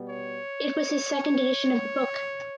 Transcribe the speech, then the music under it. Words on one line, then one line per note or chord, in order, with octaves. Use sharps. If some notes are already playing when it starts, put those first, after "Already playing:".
It was his second edition of the book.
Already playing: B2 G3 B3
C#5